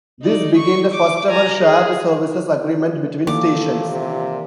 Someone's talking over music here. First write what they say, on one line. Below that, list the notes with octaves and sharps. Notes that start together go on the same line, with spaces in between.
This began the first ever 'shared-services' agreement between stations.
D#4 D5
C#6
D6
G#5 A#5
G#4
A#2 D#3 E3 A3 A#3 D6
C3